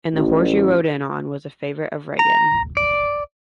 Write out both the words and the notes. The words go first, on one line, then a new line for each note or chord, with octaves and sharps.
"And the horse you rode in on" was a favorite of Regan.
A1
A#5
D5